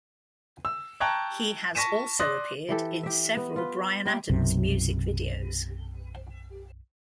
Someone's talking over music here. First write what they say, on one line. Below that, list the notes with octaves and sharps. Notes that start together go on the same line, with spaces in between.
He has also appeared in several Bryan Adams music videos.
E6
G5 A5 A#5 C#6 F#6 G#6
A5 C#6 A#6 B6 D#7 E7
D5 C6 D#6 F#6 A#6
E3 G4 A4
G4 E5
B3
F4 B4
G3 G4
B1 F#2 C3